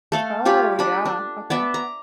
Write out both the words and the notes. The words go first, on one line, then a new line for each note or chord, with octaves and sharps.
Oh, yeah. Okay.
A3 A4 F5
F4 G4 C#5 B5
D4 B5
D4
B3 D5 E5
A#5